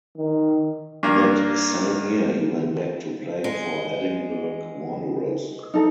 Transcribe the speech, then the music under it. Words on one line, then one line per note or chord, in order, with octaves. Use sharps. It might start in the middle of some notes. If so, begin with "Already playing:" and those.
That same year he went back to playing for Edinburgh Wanderers.
D#3
G2 A#3
G#3
D#4 A4